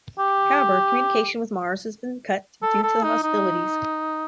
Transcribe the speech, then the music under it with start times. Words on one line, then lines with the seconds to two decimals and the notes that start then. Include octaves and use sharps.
However, communication with Mars has been cut due to the hostilities.
0.19 G4
2.62 A4
2.83 A4
3.03 D#4
3.23 D#4